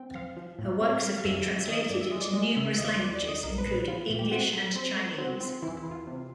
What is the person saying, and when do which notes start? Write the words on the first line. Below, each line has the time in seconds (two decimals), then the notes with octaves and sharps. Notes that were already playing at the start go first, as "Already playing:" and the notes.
Her works have been translated into numerous languages, including English and Chinese.
Already playing: C4 G5
0.15 F3 F5
0.37 F3
0.59 A2
0.80 C4
1.03 G3
1.18 F5
1.24 F#2 E5
1.46 F#2
1.61 E5
1.68 D#3 D#5
1.80 D#5
1.90 G2 D5
2.01 E5
2.10 G#3 D#5
2.21 D5
2.31 G#3 D#5
2.57 C#3 E5
2.74 E5
2.78 D#2 D#5
2.99 D#2 D5
3.15 D5
3.22 D#2
3.28 D#5
3.43 B1 A#4
3.58 B4
3.66 A#2
3.72 B4
3.88 F3 F4
4.10 A#2
4.19 G4
4.31 C4 F#4
4.53 F#3
4.75 C4
4.96 A3
5.18 C4 F#4
5.40 C4 F4
5.62 E3 E4
5.77 E4
5.85 E3
5.91 F4
6.07 C3